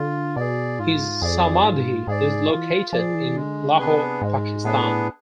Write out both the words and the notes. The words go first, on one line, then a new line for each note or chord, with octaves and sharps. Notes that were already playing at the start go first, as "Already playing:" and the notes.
His Samadhi is located in Lahore, Pakistan.
Already playing: D3 F4
B2 G#4 D5
G#2 F4
F2 G#4 D5
G#2 F4
G#2 G#4 D5
E3 F4
F3 G#4 D5
E3
D3 G#3
C3 B3 D4 G#4 B4
G#2 G#3
A2 B3 D4 G#4 B4